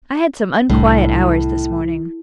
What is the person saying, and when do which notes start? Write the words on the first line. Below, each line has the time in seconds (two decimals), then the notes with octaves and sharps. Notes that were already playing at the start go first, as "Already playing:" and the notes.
I had some unquiet hours this morning.'
0.69 C2 A2 G3 D4